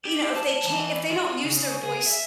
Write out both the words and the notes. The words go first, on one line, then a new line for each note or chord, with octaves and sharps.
you know, if they can't if they don't use their voice
G4
A5
E3
F4
C#3
G#4
E5